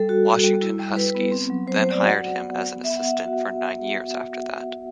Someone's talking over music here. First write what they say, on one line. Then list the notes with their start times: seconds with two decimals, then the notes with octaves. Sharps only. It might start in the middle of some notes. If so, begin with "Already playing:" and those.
Washington Huskies then hired him as an assistant for nine years after that.
Already playing: G3 A4
0.09 F#4
0.26 G3
0.44 G3
0.62 E4
0.80 G3
0.97 G3 B4
1.15 B3
1.32 C4
1.50 F#3
1.67 F#3 C5
1.79 C5
1.85 A3
1.91 D5
2.02 F#4 F#5
2.20 F#4
2.37 B3
2.55 F#4
2.72 B3
2.84 E5
2.90 B3
2.96 F#5
3.08 B3
3.26 F#4